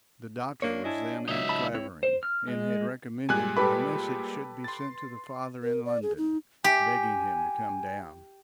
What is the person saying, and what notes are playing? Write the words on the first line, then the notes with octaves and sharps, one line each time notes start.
The doctor was then at Clavering, and had recommended that a message should be sent to the father in London, begging him to come down.
A#3 D4 C#5
E4 D#5 G#5 A5
C#2 F#3 D#4 E5
A5 B5
C4 E4 C#5
C5
F6
G#3
A#2 G3 G#3 G#5 F#6
G4 A4 B4 B5
C6 A6
A#4
D5
G#4
D#4
G4 G#5